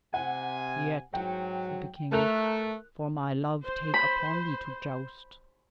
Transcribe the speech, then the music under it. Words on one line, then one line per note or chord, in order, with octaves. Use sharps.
Yet, said the king, for my love take upon thee to joust.
C3 F#5 G#5
G#2 F#3 G5
A3 A#4 F#6 F7
C5
B5